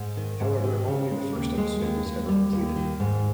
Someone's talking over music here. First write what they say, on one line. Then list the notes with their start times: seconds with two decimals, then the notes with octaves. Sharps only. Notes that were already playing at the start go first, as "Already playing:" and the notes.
However, only the first episode was ever completed.
Already playing: G#2
0.17 D#3
0.40 G#2
0.64 D#3
0.88 C#3
1.11 G#3
1.35 D#2
1.58 G#3
1.81 D#2
2.06 D#2
2.28 G3
2.52 D#2
2.76 D#3
3.00 G#2